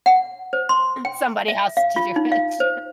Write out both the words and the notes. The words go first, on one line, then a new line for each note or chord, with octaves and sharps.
"Somebody has to do it."
F#5
C5
C6
G5
E5
F5
F4
D#4
F5
C5